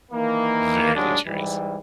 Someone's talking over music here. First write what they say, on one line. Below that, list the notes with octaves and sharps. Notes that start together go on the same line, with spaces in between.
Very luxurious.
D#3 E3 A#3
D#2 A2 F#3 G#3 D4
G#2 E3 G3